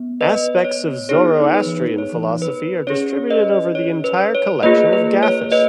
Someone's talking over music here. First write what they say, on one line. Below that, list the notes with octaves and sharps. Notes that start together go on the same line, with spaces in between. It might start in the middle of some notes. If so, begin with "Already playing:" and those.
Aspects of Zoroastrian philosophy are distributed over the entire collection of Gathas.
Already playing: B3
B4 D#5
C#5
B3 D#4 G#4 C#5
B4
C#5
B4
C#4 G#4 C#5
B4 D#5
C#5
B4
C#5
A#3 F4 G#4 B4 D#5
B4
C#5
B4 D#5